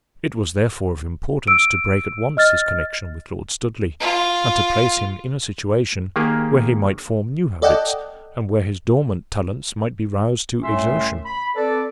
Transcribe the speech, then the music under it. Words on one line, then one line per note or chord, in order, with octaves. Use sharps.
It was therefore of importance to break at once his connexion with Lord Studley, and to place him in a situation where he might form new habits, and where his dormant talents might be roused to exertion.
E6 D7
D#5 F6 A6
F4
D#3 A#3 G4 G#4
A4 D5 D#5 F#5 G5
C2 A2 A3 C#4 E5 C6
B5
C4 A4 B4 D5